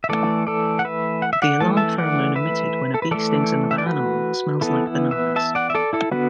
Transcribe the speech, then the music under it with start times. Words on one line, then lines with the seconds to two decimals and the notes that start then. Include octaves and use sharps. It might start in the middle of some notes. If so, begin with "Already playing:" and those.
The alarm pheromone emitted when a bee stings another animal smells like bananas.
0.04 E5
0.09 E3 A3 A4 D5
0.47 A4 D5
0.79 F#5
0.85 B4 E5
1.22 F#5
1.33 E5
1.42 D5 F#5
1.60 E3 A3 A5
1.77 E5 A5
1.98 D5 F#5
2.35 B4 E5
2.94 A4
3.02 B4
3.11 E3 A3 A4 D5
3.71 E5
3.78 D5
3.86 F#4 B4
4.61 E3 B3 E4 A4
4.87 E4
5.11 B4 E5
5.36 E5 A5
5.55 D5 F#5
5.70 E5
5.75 A4 D5
5.93 E4 A4
6.11 D3 B3 F#4 B4